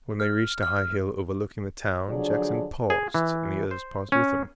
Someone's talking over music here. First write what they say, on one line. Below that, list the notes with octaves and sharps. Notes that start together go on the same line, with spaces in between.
When they reached a high hill overlooking the town Jackson paused and the others paused with him.
F6
F6
D3 F3 F#3 D4 G#4 D5
G#4
E3
C5
C#4